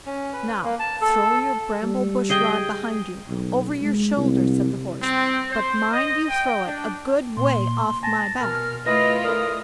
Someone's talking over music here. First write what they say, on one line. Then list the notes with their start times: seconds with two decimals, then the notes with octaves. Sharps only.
'Now throw your bramble-bush rod behind you, over your shoulder', said the Horse; 'but mind you throw it a good way off my back.'
0.06 C#4
0.33 B4
0.64 A#3
0.79 A5
1.02 A4
1.82 G3
2.30 G#4 D#5 G5
3.28 B1
3.82 G#3
4.17 C2
5.02 C4
5.52 C5
5.92 D#5
6.30 G5
6.66 D4
7.37 A#2 C6
8.03 G#5 A5 A#6
8.40 B2 A#4 F6
8.86 A3 E4 F4 B4 D#5 G#5 B5 A#6
9.24 A4 A#4 D5 D#6